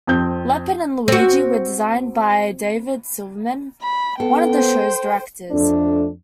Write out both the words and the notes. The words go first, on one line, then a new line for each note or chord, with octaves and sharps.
Leopold and Luigi were designed by David Silverman, one of the show's directors.
F2 C4 G6
C4 F#4
B5
B3 A4 G5
C5
F2 A3 D4